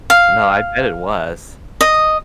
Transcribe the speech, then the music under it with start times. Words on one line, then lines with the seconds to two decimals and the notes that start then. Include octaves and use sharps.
No, I bet it was.
0.10 F5
1.81 D#5